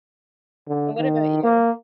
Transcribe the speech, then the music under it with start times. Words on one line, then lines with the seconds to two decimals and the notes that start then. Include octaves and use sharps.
And what about you?
0.68 D3
0.98 D#3
1.43 A#3